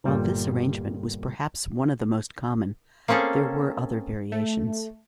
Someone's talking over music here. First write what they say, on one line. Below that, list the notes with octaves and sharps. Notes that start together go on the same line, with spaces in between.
While this arrangement was perhaps one of the most common, there were other variations.
G1 A#2 G3
A#3 C4 C#4 G#4 A4
A3